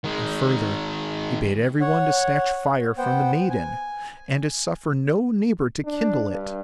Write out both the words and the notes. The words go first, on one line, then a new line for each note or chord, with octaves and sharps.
And further, he bade every one to snatch fire from the maiden, and to suffer no neighbour to kindle it.
D#3 G#3
C#5 F#5
B3 C5 F#5 G5
G#5
D4
G2